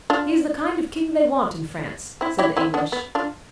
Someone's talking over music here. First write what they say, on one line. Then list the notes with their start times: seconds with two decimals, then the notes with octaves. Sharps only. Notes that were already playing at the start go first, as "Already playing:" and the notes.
"He is the kind of king they want in France," said the English.
0.10 D4 F4
2.21 C4 E4
2.39 E4 G4
2.57 C4 E4
2.74 B3 D4
2.92 B3
3.15 D4 F4